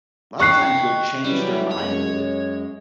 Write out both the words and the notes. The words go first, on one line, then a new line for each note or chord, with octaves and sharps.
lotta times you'll change their mind with it.
D#5 G5 C#6 F#6 C7
E3 F#3 G3 E4
F#2 G#3 C#5